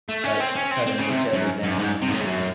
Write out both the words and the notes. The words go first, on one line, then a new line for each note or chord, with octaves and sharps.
cut cutting each other down, you know?
A3
C#4
C4
C#4
C4
C4
C#3
C3
F#2
F#2
G#2
C3
G#2
A2
G#2
F#2